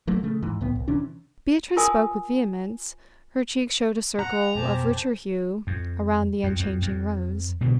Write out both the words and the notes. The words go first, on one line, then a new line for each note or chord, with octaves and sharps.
Beatrice spoke with vehemence; her cheeks showed a circle of richer hue around the unchanging rose.
F3 F#3 A3 A#3
C#3 A3
G#2 E3
C#2 A2 B3
C2
C3 E3 C#4 D4
F4 A#4 G#5 D#6
F#5 A#5
F2 B2 G4 C5 G#5 A5
F2
F2
F2
F2
B2 D3 E3 G3